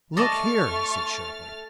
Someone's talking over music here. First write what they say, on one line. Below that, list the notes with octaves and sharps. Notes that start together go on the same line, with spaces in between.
"Look here!" he said sharply.
A3 D5 D#5 A5 C#6 F6 A6